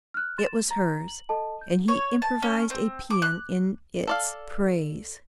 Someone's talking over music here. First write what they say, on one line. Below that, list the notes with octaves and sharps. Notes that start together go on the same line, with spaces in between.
It was hers; and he improvised a paean in its praise.
F6 F#6
C6 A6 E7
A#5
F#7
A4 D#5 A5
G6
C#5
A5
C#4
C4
D6
F#6
A4 D5 F5